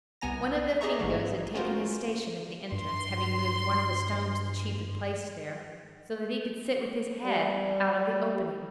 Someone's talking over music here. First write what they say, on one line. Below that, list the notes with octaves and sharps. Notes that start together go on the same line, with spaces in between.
One of the Fingoes had taken his station at the entrance, having moved one of the stones the chief had placed there, so that he could sit with his head out of the opening.
C2 C3 B3 G#5 A#5 A#6
G4 G#4 D#5 E5 A#5 C#6
A1 G#2 D3 G#3
B3 C#4 F4 F#4 A#4 C5
G2 C6
G3